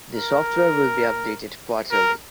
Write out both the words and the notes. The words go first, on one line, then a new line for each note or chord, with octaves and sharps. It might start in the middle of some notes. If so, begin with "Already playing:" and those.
The software will be updated quarterly.
A#4
A#4